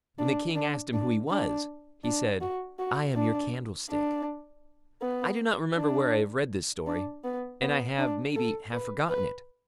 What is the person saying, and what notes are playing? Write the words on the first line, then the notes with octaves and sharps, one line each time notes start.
When the king asked him who he was, he said, 'I am your candlestick.' I do not remember where I have read this story, and I have, maybe, half forgotten it.
D4
D4
D4
D4
D4
F#4
F#4
D4
D4
B3
D4
D4
B3
B3
D4
A4
B4
B4